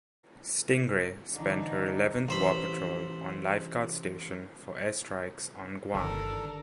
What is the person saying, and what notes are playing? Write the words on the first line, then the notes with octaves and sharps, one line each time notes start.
"Stingray" spent her eleventh war patrol on lifeguard station for air strikes on Guam.
D3 E3 D4 D#4
A1 C5 B5
G1 D#3 D4 A4 A#4